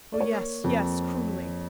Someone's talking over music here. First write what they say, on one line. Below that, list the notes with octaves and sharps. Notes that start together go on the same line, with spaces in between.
"Oh, yes, yes, cruelly!"
D5
A#3 C#5
F2